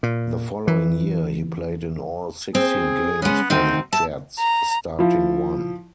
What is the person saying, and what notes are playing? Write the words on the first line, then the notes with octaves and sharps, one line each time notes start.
The following year, he played in all sixteen games for the Jets, starting one.
A#2
E3
C4 G#4
G#3 B3 C#4
D2 D#3 C4 D#4
E5 A5
A#5
F3 E4